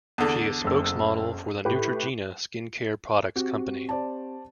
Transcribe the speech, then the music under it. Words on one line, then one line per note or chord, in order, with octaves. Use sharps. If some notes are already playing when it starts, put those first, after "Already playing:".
She is a spokesmodel for the Neutrogena skin care products company.
E2 D3
F#1 E6
A2 G4 B4
C4 F#4 G4
C5 D5 A5